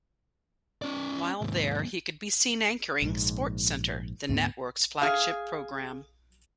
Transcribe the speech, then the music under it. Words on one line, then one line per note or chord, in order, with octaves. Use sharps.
While there, he could be seen anchoring "SportsCenter", the network's flagship program.
C#4 D5
D#2 G#2
A#1 G#2
D2 G#2 A3 B3
G#4 F5